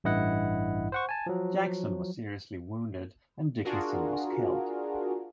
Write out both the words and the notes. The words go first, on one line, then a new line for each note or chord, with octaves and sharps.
Jackson was seriously wounded and Dickinson was killed.
A1 G2 E4 D#5 F#5
C5 F#5 C#6
G#5 A5
F3 F#3
D4 F4 F#4 G#4 A#4